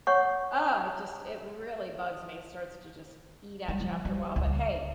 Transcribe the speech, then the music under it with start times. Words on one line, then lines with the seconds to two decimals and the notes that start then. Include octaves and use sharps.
oh, it just it really bugs me. It starts to just eat at you after a while. But, hey,
0.07 C#5 F#5 C#6
3.68 G3
3.81 F3
4.05 G3
4.36 C#2